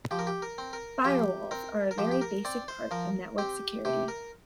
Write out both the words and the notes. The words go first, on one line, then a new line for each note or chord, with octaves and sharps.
Firewalls are a very basic part of network security.
F3 G4
A#4
G4
A#4
C4
A#4
F3 G4
C4 A#4
A#4
F3 G4
G4
A#4
C4 D5
C5
F3 A#4
C4 G4
C3 G4
A#4